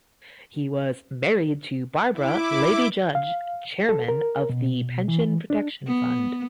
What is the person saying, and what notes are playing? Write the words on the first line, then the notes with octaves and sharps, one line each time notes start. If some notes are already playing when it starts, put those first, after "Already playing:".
He was married to Barbara, Lady Judge, chairman of the Pension Protection Fund.
E4 D6
F5
A4
A#4
B2
E3
D4
B3